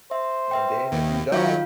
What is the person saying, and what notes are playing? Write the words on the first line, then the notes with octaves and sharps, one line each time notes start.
And then if you don't
C5 E5
B4 E5 G5
D#2
D#3 F#3 F4 F5 G6